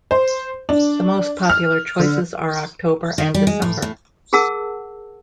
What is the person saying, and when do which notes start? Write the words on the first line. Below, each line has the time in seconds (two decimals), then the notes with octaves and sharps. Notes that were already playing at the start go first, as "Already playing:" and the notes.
The most popular choices are October and December.
0.11 C5
0.69 D4
1.50 F6
1.99 D3
3.18 D#3
3.34 G3
3.47 G#3
3.62 A2
3.82 A2
4.33 G#4 A#4 F#5 A5 E6